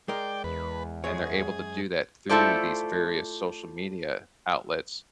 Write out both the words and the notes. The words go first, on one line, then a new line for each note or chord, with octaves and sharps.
and they're able to do that through these various social media outlets,
G#3 A#4 D5 G5
E2 B4
F#2 G#3 G#4 C#5
A3 E4 F4 A4 C5 D5